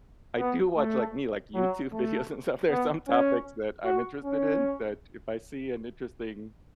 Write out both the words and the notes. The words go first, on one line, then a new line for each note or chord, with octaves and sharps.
I do watch, like, me, like, YouTube videos and stuff, there are some topics that I'm interested in that if I see an interesting
B3
A3
F#3
A3
B3
C#4
F#4
C#4